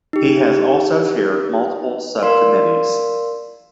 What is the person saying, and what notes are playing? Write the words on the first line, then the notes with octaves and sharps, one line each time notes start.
He has also chaired multiple subcommittees.
D#4 G4
A#4 D5 F5 C6